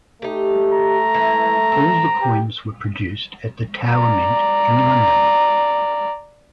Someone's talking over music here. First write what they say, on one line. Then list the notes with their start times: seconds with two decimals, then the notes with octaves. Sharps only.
All the coins were produced at the Tower Mint in London.
0.22 A3 D#4 G4
0.72 A#5
1.14 E3
1.72 C4
2.21 G4
3.90 D5 A#5